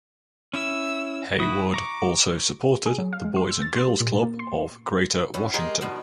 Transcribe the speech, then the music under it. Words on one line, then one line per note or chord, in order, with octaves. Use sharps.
Hayward also supported the Boys and Girls Club of Greater Washington.
C#4 E4 E5 E6
E4 F#4 D#6
A#5 C#6 D6
G#4
F#3
F5
G#3
C6
E6
A6
C6
G3
A#2
A#3
C6
E2 E3 C#4
G#3 A#3 G4 G#4 A#4 D#5
G2 B2 D#3 F3